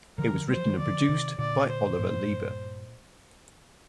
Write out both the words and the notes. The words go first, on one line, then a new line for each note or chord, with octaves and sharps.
It was written and produced by Oliver Leiber.
D3 F3 A#4
D3 F3
G3 C5
F3
D#3 G3
D3 F3 D5
C3 D#3
A#2 D3 D5
C5
G2 A#2